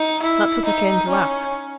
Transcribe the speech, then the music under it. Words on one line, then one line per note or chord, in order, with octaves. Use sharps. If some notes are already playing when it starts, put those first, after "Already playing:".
That's what I came to ask.'
Already playing: D#4
E4
D#4
C#4